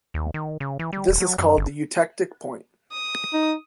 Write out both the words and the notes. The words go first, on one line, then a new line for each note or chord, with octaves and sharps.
This is called the eutectic point.
D#2
D#3
C#3
E3
G3
D#1
F#3
F#2
G1
D#6
D#4